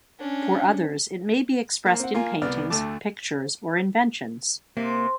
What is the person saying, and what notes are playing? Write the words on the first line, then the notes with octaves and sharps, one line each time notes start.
For others, it may be expressed in paintings, pictures, or inventions.
C#4 D4
A#3
C4 F#5
A#3 F4 G#5
C2 B3 D5 F6
D2 A3 A5 D6
C3 A#3